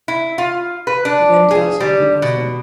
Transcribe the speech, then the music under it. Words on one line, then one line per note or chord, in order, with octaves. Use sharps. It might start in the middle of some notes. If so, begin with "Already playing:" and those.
He then tells her he loves her.
E4
F4
B4
D4
G#4
G3
B2